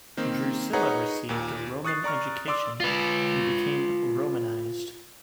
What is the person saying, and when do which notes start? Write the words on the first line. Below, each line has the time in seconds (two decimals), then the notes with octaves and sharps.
Drusilla received a Roman education and became Romanized.
0.17 D#3 A#3 C4
0.73 D#4 G#4 B4 C#5 F#5 A#5
1.29 D#2 A#2
1.85 C#6 D#6 F#6 A6 C7
2.04 D5 A#5 C#6 F6
2.48 D5 C6 D6 E6
2.80 F4 B4